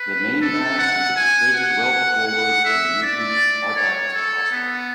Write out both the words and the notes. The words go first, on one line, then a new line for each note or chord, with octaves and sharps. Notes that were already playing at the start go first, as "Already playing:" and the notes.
The mainmast is placed well forward and the mizzen as far back as possible.
Already playing: B4
A4
F#5
G#5
F#5
F#5
E5
D5
C#5
A4
B3